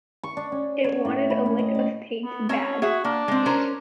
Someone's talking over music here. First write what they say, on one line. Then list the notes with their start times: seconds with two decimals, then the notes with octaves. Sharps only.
It wanted a lick of paint bad.
0.23 C#6
0.37 D4
0.52 C#4
0.84 C#5
1.05 A2
1.30 B5
1.46 C#4
1.59 D#5
1.75 D5
2.24 B3
2.49 C4 C#4 C#5 A5
2.82 F#4 G#4 E5
3.04 A#3 D4
3.28 G#3 C4
3.46 C#4 A#4 C5